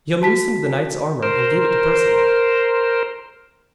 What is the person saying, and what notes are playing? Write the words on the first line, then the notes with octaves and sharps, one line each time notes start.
He unloosed the knight's armour and gave it to Perceval.
F#4 A5 B6
A#4 C5